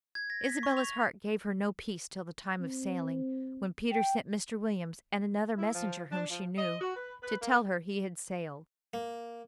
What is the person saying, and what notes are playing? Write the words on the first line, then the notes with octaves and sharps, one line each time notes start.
Isabella's heart gave her no peace till the time of sailing, when Peter sent Mr. Williams and another messenger whom she knew, to tell her he had sailed.
G#6
A#6
B6
C#6
F7
C4
G5
E4
F3
D4
F3
D#5
F#4
B4
B4
A#3
A#3